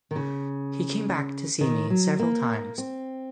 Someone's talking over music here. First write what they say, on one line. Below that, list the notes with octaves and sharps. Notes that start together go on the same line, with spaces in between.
He came back to see me several times.
D#3
C#3
D#3
F#3
A#3
C4